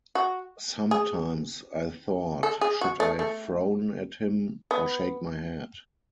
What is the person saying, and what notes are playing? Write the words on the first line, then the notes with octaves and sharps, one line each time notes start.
Sometimes I thought, should I frown at him or shake my head.
F#4
G#4
A4
G#4
F#4
A3
A3
B3